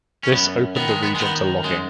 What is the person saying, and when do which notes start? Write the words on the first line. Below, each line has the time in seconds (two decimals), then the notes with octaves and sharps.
This opened the region to logging.
0.23 C#4
0.32 F#2 B3
0.76 D#3 B3
0.89 G#3
1.03 B3
1.15 G#3
1.20 D#3 B3
1.63 F#2 G#3